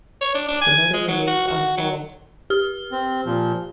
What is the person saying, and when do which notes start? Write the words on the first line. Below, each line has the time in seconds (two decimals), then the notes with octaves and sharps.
The murder remains unsolved.
0.21 C#5
0.34 D4
0.48 D4
0.62 G#5
0.93 G#3
1.08 F#3
1.27 F#4
1.48 F#4
1.77 F#3
2.50 G4 F6 G7
2.92 C4
3.26 A#2 F3